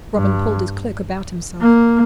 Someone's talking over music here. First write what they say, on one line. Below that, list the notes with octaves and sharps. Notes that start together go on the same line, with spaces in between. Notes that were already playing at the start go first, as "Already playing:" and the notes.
Robin pulled his cloak about himself.
G2
A#3